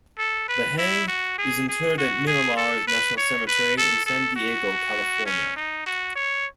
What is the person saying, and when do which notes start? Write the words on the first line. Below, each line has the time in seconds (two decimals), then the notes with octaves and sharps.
LaHaye is interred at Miramar National Cemetery in San Diego, California.
0.18 A4
0.49 B4
0.78 E4
1.08 F#4
1.39 G#4
1.69 G#4
1.98 F#4
2.27 G#4
2.57 A4
2.88 B4
3.17 C#5
3.47 B4
3.78 A4
4.06 A4
4.36 F#4
5.26 C#4
5.57 D#4
5.86 F#4
6.15 C#5